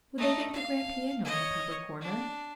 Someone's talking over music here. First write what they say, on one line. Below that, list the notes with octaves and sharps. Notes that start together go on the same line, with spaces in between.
Would they think the grand piano in the proper corner?
A3 D#4
F5
C#5 D#5
D4